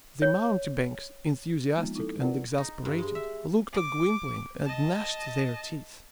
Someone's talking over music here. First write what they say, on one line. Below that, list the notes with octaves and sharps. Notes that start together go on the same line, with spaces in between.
The mountebanks, enthusiastic and exasperated, looked at Gwynplaine and gnashed their teeth.
C#5
F3 G#3 A#3 B3 D#4 F4
D#4 E4 A4
B3 F4 A#4 B4 D5 F#5
D#4
G2
G#3
E5
D6
D#5 A5